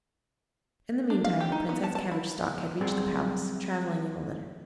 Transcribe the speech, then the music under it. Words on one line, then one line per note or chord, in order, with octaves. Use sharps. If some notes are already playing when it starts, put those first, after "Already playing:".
In the meantime the Princess Cabbage-Stalk had reached the palace, travelling in a litter.
D4
F5
G4
D#4
B3
A5
A5
E4
F#3 G3 C4 G#4 D5 F#5